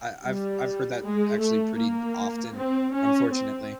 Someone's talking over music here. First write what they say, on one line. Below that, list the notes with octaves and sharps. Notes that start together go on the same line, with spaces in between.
I I've I've heard that actually pretty d often, unfortunately.
G3
G#3
A3
A#3
C4
C#4
C4